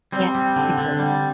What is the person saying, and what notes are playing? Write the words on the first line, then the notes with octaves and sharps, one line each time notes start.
can't picture it.
G3 C4
G3
D3
D3
G3